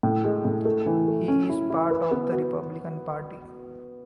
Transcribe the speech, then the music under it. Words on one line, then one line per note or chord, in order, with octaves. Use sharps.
He is part of the Republican Party.
A2
G#3
A2
A3
E3
A3
C#4
E4
E4
B4
B3
F#4